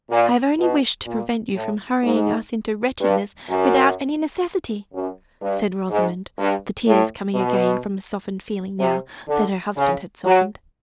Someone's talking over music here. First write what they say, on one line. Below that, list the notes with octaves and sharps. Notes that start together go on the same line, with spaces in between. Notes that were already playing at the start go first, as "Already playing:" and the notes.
"I have only wished to prevent you from hurrying us into wretchedness without any necessity," said Rosamond, the tears coming again from a softened feeling now that her husband had softened.
A#2
B2
A#2
A2
G#2
G2
F#2
F#2
G2
G#2
G2
A2
B2
C3
D3
C#3
F#3